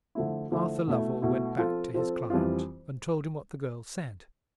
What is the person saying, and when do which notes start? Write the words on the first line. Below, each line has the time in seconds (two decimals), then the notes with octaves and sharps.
Arthur Lovell went back to his client, and told him what the girl said.
0.15 D3 F3 A3 E4
0.51 D3 F3 A3 E4
0.87 B2 A3 E4
1.22 B2 A3 E4
1.58 F3 C4 F4 A4
1.94 F3 C4 F4 A4
2.30 F2 E3 G3 C4 F4